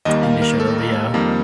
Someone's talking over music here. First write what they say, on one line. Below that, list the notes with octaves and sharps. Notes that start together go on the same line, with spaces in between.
And they should've, but yeah.
D#2 D#3 G3 A#3 D#5
F5
A#4
A4
F2 D#3 G3 A#3